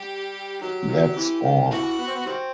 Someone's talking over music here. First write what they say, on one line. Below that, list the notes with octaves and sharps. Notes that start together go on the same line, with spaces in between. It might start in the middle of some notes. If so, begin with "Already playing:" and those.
That’s all.
Already playing: G3 G4
D#3 F#3 G4
D#3 F#3
C3 E3
D#3
C3 E3 F#4
B3
C4
B3
D#3 G3 C4